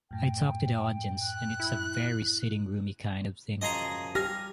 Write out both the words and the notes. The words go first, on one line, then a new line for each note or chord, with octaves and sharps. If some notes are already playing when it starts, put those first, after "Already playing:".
I talk to the audience and it's a very sitting-roomy kind of thing.
F#2 A2 G5
F#6
E4
F#2 F3 G#4 D#5 G#5 A#5
G4 G#5 F6 A#6